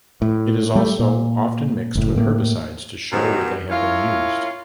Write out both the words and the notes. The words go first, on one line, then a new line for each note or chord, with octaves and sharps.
It is also often mixed with herbicides to show where they have been used.
A2
G3 A3
A#2
F#1 A2
A2 A3 A#3
F#2 B2 D#3 F#3 G3
C#4 E4 F4 A#4 C#5